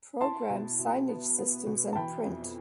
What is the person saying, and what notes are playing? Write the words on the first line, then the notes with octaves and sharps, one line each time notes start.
Programs, signage systems and print.
E4 A5 C6
B2
B2
B3
B3
B2
A5
E3 G5 B5
F2